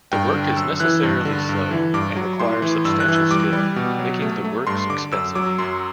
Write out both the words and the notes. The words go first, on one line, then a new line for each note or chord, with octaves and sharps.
The work is necessarily slow and requires substantial skill, making the works expensive.
G2 G5
D3
F#2 E6
E3 F#6
G2
D3
G2
E3
G2 D6
F#3
A2 C6
E3
G2 E6
F#6
E3
F#6
G3 D6
G3
B2
F#3
A3
A3
G2 C6
D3 D6
F#2 E6
F#3 D6
F#2 C6